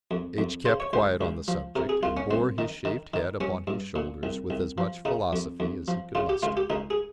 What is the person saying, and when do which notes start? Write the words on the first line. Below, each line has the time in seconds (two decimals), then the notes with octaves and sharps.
H-- kept quiet on the subject, and bore his shaved head upon his shoulders with as much philosophy as he could muster.
0.11 F2
0.38 F2
0.65 C#3 C5
0.80 C#5
0.93 C#2 C5
1.21 C#2
1.48 F3
1.76 C3 A#4
1.89 G#4
2.03 C2 F4
2.17 C#4
2.31 C2 C4
2.58 D#3
2.85 D#3
3.14 D#3
3.40 G2 C#4
3.67 G2
3.96 A#2
4.23 C2
4.50 C2
4.78 F3
5.05 C#3 D#4
5.33 F2
5.60 F2
5.88 F3
6.15 C#3 F4
6.29 G4
6.43 C#2 F4
6.57 G4
6.70 C#2 D#4
6.90 G#4